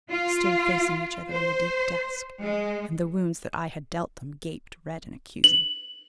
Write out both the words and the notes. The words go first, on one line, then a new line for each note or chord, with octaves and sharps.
They stood facing each other in the deep dusk, and the wounds that I had dealt them gaped red and accusing.
F4
C5
G#3
F#7